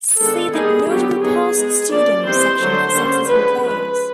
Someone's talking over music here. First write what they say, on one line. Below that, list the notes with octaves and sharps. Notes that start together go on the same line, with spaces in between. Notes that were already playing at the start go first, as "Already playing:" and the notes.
See the "Notable Past Students" section for successful players.
D#3 G#3 B3 D4 A4
G3 A#3 D#4 G#4
D3 F#3 B3 G4
F#3 B3 D#4 G#4
G#3 B3 D#4
F3 A#3 C#4 D5
E3 G3 C4 D#4 C5
D3 F#3 A3
D3 G3 A#3 C#4
D3 F3 G#3 C#4 B4
F3 G#3 C#4 B4